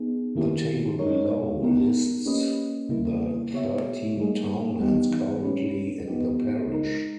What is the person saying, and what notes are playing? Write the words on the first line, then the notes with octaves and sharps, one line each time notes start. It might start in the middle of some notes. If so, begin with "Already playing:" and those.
The table below lists the thirteen townlands currently in the parish.
Already playing: B3 D#4 G#4
D#3 A#3 E4 G4
G#3 D#4 A#4 C#5
B3 D#4 G4 A#4
A#3 C#4 G4 B4 D#5
C#3 G3 A#3 E4
B3 G4 C#5 E5
G3 A#3 D#4 G#4
E3 G3 B3 D#4 G4
G3 C#4 G4 B4
B3 D#4 G4
G#3 D#4 A#4